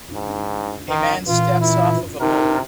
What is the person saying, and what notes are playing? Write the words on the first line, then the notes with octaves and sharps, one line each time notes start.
A man steps off of a boulder.
G#2
D#3
A#2 E3 F4
E4
C3 D#4 A#4